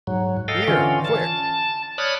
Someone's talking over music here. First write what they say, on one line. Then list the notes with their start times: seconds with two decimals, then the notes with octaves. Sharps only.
"Here, quick!"
0.07 G#2 F#3
0.48 A4 D#5 F5 G5
0.68 D3 E3 C#4 F4
1.05 A5
1.98 C#5 D5 B5 D#6 F6 F#6